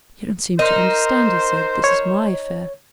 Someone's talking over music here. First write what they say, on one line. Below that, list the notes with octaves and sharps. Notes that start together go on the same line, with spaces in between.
"You don't seem to understand," he said, "this is my affair."
D#4 A#4 C5
C#5